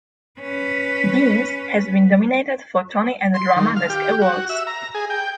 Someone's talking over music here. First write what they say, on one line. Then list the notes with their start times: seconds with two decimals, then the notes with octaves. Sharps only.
Deans has been nominated for Tony and Drama Desk Awards.
0.41 C#4 B4
3.34 C6
3.56 D#3
3.76 F5
3.90 G4
4.21 F#4
4.49 E5
4.67 A#5
4.94 G#4
5.10 G5